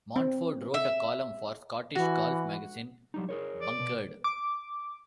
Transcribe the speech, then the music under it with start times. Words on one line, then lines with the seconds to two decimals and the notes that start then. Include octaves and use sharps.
Montford wrote a column for Scottish golf magazine, "Bunkered".
0.16 C4
0.74 E5
1.95 E3 F#4
3.14 F#3 G3 D#4
3.29 G#4 A#4 C#5
3.61 D5
3.80 B2
4.24 D6